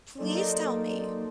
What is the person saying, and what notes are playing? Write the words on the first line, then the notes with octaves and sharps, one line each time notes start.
Please tell me.
F#3 A#3 D#4 A4 C5 D5